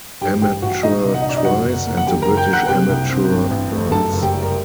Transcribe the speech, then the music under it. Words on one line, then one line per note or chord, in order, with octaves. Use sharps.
Amateur twice, and the British Amateur once.
G2 G4 G5
A1 G4 G5
A1 F#4 F#5
A#2 D#4 D#5
C2
F#5
D#5
C2 D5
D#4 D#5
F#2 F#4 F#5
F#1
A#3
F#5
F#2 G4 G5
A#4 A#5
F#1
G5 G6
F#1
F#5 F#6
C3 G4 G5
C2
C4
G2
A1
A3
F#2 A4 A5
F#1
G4 G5
G3
A#4